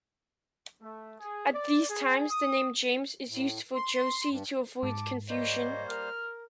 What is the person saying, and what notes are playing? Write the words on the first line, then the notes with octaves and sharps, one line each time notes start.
At these times, the name "James" is used for Josie to avoid confusion.
A3
G#4
D5
G#4
D#6
A2
C6
G2
G#2 A5 D6
G3 A#3 C5 C#5 D#5
A#4 F6